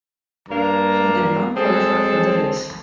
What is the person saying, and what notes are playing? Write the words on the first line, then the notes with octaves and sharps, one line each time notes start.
He did not qualify for the race.
G2 A#3 D4 A#5
G#3 C4 G#4 A4